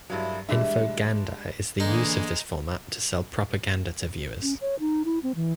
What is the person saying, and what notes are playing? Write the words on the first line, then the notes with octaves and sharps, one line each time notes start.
Infoganda is the use of this format to sell propaganda to the viewers.
G2 F#3 G#3 A#3 E4
E3 G3 G#3 D4 E5
D3 E3 G#3 A#3 D#4
C#4
C#5
D#4
E4
C4
E3